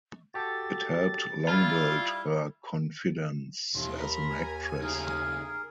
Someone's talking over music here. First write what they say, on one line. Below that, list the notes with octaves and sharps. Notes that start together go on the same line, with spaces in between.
It helped Long build her confidence as an actress.
F#4 G4 A4 A6
G3 E4 F4 B5 F6
D#2 B2 D#3 E3 C6
A#4 A#5 B5
G#5
C#3 A3 D#4 G#4 A#4